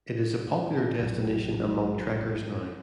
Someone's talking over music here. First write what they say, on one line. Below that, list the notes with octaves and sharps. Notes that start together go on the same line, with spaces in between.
It is a popular destination among trekkers now.
F1 A#1 F#3